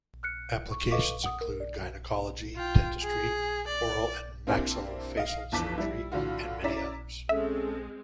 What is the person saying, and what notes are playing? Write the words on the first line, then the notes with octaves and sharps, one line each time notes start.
Applications include gynecology, dentistry, oral and maxillofacial surgery, and many others.
F6 F#6 C#7
C#6
A4 B4 D#5 F5 C#6 D6
F#5 D#6
A#4
D5
F4 G5
G#4
D5
A#3 C4 D4 E4 G4
D#5 F5
G1 F2 E3 A5 D6 B6
G3 E4
A2 D3 E3 F4 F#4
C#4 E4 D5 A#5 B6 E7
G#3 C4 C#4 A4 E5